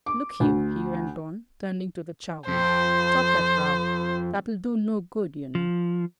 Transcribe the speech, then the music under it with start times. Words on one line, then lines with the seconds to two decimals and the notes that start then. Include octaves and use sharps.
Look here," he went on, turning to the charwoman, "stop that row--that'll do no good, you know.
0.06 D6
0.40 D2
2.48 F2 C5
5.55 F3